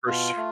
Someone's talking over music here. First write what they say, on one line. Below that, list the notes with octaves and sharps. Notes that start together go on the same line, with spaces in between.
For su
B2 F4
A3